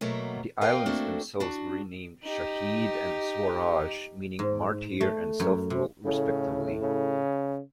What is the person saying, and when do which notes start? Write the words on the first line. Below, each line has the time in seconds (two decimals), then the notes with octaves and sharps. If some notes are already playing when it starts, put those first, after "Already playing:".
The islands themselves were renamed "Shaheed" and "Swaraj", meaning "martyr" and "self-rule" respectively.
0.01 B2 F#3 A3 A#3
0.61 A#4 B4 D#5 F5 G5
0.86 A3 A#3 C4 D4 F#4 A4
1.40 D4 F#4
2.23 D#4 G4
4.39 G#2
5.01 A3
5.40 F#2
5.70 C3
6.05 A2 C#3
6.81 C#3